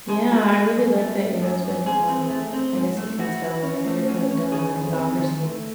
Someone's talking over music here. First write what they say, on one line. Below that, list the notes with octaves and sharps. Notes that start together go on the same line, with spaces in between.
Yeah, I really like that your husband, um, I guess he can tell whenever you're feeling down, and that he offers you,
G#3 G#4
G#3 F#4
A3
F#2
A3
A3
F#2
F#2
G#2 G#4
C4
A3
C4
G#2
A3
E4 F#4
E4
C#4
A3
C#4
C#4
D#3 G#4
D#3
C4
D#3
A3